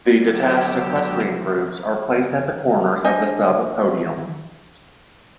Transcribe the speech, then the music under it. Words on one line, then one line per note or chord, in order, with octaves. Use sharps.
The detached equestrian groups are placed at the corners of the sub podium.
D3 F#3 B3 G4 E6
D4 C5 D#5 G#5